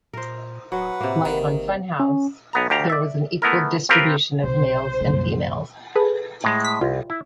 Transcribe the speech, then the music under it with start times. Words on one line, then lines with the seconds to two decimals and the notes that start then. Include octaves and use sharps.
Like on "Fun House", there was an equal distribution of males and females.
0.13 A#2 A#4 C5
0.72 D1 F#3 B4 F#5
1.00 A2 C3 A#3
1.25 G#1 D#3
2.00 C#4
2.53 B1 B3 A#5
2.70 D2 G4 F5 A#5
2.90 D5 E5
3.42 A3 B3 E4 A#4
3.89 C4 F4 G4 A#4 B4
4.43 B1 C3 C5
5.00 C2 F#2 A#2 D#3
5.95 G#4 A4 B4
6.44 A2 G#3
6.65 B6
6.81 C2 F4
7.10 E4